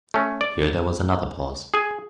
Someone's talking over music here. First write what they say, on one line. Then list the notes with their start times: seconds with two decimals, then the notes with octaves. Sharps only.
Here there was another pause.
0.14 A3 C#4
0.41 D5
1.74 G#4 G#5